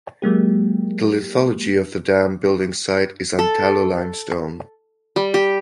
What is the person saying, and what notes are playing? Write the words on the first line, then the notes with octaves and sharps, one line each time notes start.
The lithology of the dam building site is Antalo Limestone.
F#3 G#3 A#3 G4
A4
G3
G4